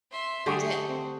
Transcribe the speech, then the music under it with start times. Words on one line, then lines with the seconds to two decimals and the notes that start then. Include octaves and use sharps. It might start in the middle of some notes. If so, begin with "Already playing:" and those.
We did.
0.11 E5 C6
0.46 D3 A3 G4 G#4 F#5 C#6 D#6
0.87 C4